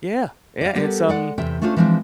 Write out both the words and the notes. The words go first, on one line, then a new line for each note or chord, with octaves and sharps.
Yeah, yeah, it's, um,
D5 F5
G3 B3 G4 A4 A#4
G#3 D5 F#5
E2 C3 E5 G5
A3 C#4 D4 F4 C5
E3 F3 G#3 C4 D4